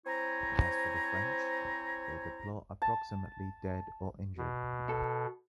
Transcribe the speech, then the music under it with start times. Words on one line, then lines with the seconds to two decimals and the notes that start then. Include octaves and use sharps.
As for the French, they deplore approximately dead or injured.
0.06 C4 E4 C5 C#5 G#5 A#5
2.82 A5
4.38 B2
4.89 A4